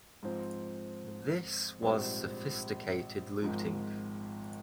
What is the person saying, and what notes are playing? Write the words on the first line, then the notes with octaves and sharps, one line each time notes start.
This was sophisticated looting.
G#2 F3 C4
A#1 G#2 G3 C4
G#1 G#2 F3